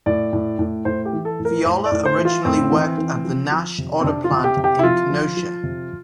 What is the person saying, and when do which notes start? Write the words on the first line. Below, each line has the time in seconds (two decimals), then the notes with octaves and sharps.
Fiala originally worked at the Nash auto plant in Kenosha.
0.06 A2 D5
0.33 A2
0.59 A2
0.85 A2 C5
1.05 G4
1.13 E3
1.25 A4
1.39 A2
1.45 A#4
1.65 A2 C5
1.85 D5
1.92 A2
2.05 C5
2.19 E3
2.25 F4
2.45 A2 C4
2.72 E3
2.98 E3
3.25 F3
3.52 F3
3.78 C3
4.00 C4
4.04 C3 D4
4.24 F4
4.31 C3
4.44 G4
4.57 C3
4.64 G4
4.79 E4
4.83 F3 F4
5.10 F3
5.37 F3
5.63 C3